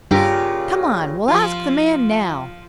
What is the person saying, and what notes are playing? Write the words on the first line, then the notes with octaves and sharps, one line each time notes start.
"Come on, we'll ask the man now."
G2 A#2 C#3 F4 G4 A#4
F3 F4